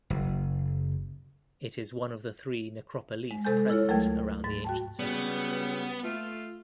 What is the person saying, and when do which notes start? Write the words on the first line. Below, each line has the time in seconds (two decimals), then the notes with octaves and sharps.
It is one of the three necropoleis present around the ancient city.
0.10 F#1
3.31 G#3
3.45 C3 G#3 A4 C5 G#5 G6
3.70 E4 F4 A4 C#5
3.88 D2 F#3 A3 A#4 G5 G#6
4.44 G#2 A6
4.64 F#4 G5 A5
5.00 C#3 F#3 G3 B3
6.04 A3 F4